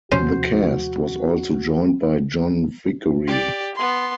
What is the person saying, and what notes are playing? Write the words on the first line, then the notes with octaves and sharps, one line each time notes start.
The cast was also joined by John Vickery.
D#2 C3 F3 C#4 F#4 C5
G4 D5
B3 C6